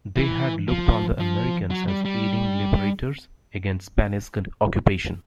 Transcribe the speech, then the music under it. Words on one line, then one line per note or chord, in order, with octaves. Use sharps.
They had looked on the Americans as aiding liberators against Spanish occupation.
E3
F3
F3
F#3
G3
G3